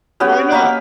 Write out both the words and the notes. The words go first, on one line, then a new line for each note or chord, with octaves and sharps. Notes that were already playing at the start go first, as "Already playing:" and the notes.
why not?
B3 C#4 F#4 G4
A#3 D#5 F5 B5